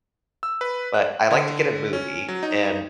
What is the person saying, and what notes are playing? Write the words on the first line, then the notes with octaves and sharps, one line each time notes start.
but I like to get a movie and,
E6
B4
F#6
D3
C#4
F#3
D#4